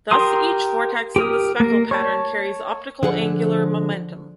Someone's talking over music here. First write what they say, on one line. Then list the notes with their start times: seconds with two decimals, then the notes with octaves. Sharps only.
Thus each vortex in the speckle pattern carries optical angular momentum.
0.11 G4 A#4 C6 D#6
1.16 G4 A#4 D#6
1.60 A#3 A#4
1.91 C#5 A5
3.03 D3 F3 G#4 F#5